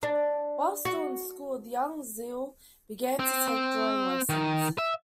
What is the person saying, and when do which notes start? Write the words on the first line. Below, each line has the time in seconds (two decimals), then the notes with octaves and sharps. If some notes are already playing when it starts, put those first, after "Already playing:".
While still in school, the young Zille began to take drawing lessons.
0.03 D4
0.85 F#4
3.19 C4
3.48 C4
4.29 D#3
4.78 E5